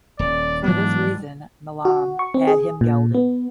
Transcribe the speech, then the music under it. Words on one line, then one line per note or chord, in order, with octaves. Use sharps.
For this reason, Milam had him gelded.
D#1 D5
G#2 E3 F#3 G3 B3 D4
F#4
C#6
C4
G#4
A#2
B3